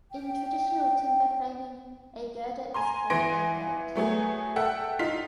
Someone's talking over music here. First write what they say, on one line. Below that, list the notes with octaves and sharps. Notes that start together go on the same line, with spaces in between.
In traditional timber framing a girder is called a girt.
G5
G#5 A#5 C6
E3 B3 G#5 C6 A#6 D7
F#3 A3 B3 G#4
A4 E5 F#5 G5
D#4 F4 B6